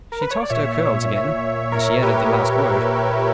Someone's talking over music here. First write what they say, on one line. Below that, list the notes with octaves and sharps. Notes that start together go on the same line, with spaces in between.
She tossed her curls again, as she added the last word.
A#4
B4
C#5
D5
A#2 C#5 E5
A#4 C#5
C#5
G4 B4